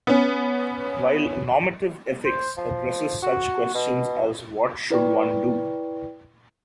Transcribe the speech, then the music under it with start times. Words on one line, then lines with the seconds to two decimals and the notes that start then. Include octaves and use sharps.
While normative ethics addresses such questions as What should one do?
0.07 B3 C#4
2.25 C5
2.57 F3
3.22 F#4
3.74 B2
4.90 E4 B4 D5 G5 C#6